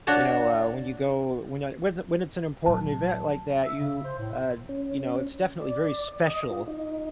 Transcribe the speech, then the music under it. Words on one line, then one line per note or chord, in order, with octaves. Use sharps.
You know, uh, when you go when a whe th when it's an important event like that, you, uh, you know, it's definitely very special
D4 F#4 C#5 A5
A#1 F#3 A5
E5
C#3
C5
A2
C#4
D5
D#5
F4
D#4